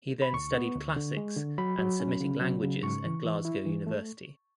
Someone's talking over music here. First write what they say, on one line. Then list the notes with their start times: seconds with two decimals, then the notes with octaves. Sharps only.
He then studied Classics and Semitic Languages at Glasgow University.
0.22 B5
0.33 D2 C#6
0.55 B3
0.75 D2
0.96 D3
1.17 G#3
1.37 D3
1.58 F#3 B5
1.79 F#3
2.00 C#4
2.20 C#3
2.41 F#3
2.63 C#3
2.83 G#2 C#6
3.04 E3
3.25 E3
3.45 E4
3.66 E3
3.87 A3